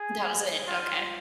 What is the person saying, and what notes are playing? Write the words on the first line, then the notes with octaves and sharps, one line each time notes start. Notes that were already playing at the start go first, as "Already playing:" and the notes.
That was it, okay.
Already playing: G#4
F4